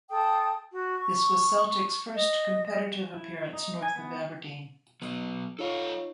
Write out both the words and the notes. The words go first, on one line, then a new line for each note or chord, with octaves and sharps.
This was Celtic's first competitive appearance north of Aberdeen.
A4 G5 D#6
F#4
C#6
D#5
E4
D#4
G#5
B3
F#3 B3
D#4 F4 A4 C#5 F5 F#5